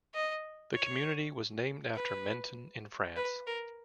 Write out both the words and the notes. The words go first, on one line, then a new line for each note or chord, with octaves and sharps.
The community was named after Menton in France.
D#5
C#5
B4
B4
A#4